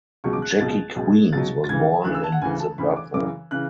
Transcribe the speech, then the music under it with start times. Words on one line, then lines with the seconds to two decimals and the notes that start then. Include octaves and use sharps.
Jackie Queens was born in Zimbabwe.
0.24 C#2 B2 F#3 C#6
0.33 D6
0.42 F#6
0.51 G#6
0.60 C#2 B2 F#3 A6
0.96 C#2 B2 F#3
1.33 C#2 B2 F#3 A6
1.64 A6
1.68 D2 C#3 E3 G#6
2.05 D2 C#3 E3 F#6
2.14 E6
2.24 A5
2.32 F#5
2.42 D2 C#3 E3 G#5
2.59 A5
2.78 D2 C#3 E3 B5
2.96 D6
3.14 F#2 C#3 E3 D6
3.51 C#3 E3 F#6